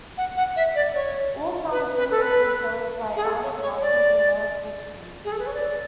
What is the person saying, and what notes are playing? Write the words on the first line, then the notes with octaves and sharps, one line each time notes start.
All songs written and composed by Alan Parsons and Eric Woolfson.
F#5
F#5
E5
D5
C#5
B4
B4
A4
B4
G#4
A4
C#5
C#5
D5
G#4
A4
B4
C#5
D5